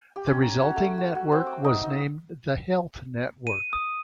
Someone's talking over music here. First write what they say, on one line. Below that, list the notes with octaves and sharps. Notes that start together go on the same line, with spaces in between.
The resulting network was named The Health Network.
G4
C#4
A#5
F#4
A3
F#4
F#4
C4
D6
D#4
D#4
D#7
D#6